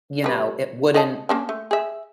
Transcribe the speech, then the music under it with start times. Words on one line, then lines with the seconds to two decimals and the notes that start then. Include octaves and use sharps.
You know, it wouldn't
0.24 G3 B4
0.94 C#3 D#5 A5
1.29 A#3 C#4 D4
1.49 A3
1.71 G#4 E5